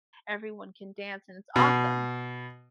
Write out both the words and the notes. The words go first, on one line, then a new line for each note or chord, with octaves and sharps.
everyone can dance, and it's awesome.
B2